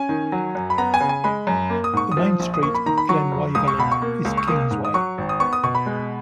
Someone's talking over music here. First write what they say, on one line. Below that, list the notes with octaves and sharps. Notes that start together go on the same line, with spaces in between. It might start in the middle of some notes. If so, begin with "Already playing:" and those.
The main street of Glen Waverley is Kingsway.
Already playing: C#4 G#5
D#3
F#3
F#2
B5
B3 A#5
G#5
C#3
G#5
G#3 B5
F#2
A#3
D#6
G#2 C#6
D#6
F3
A#1
D#6
A#3 C#6
B5
D#3 A#5
B5
F#3 C#6
F2
C#2 D#6
C#6
B2 B5
C#6
A#3
C#2
C#6
A#3 D#6
G#2
D#6
F#3 C#6
G#1
D#6
B3 C#6
D#6
B2 C#6
B5
G#3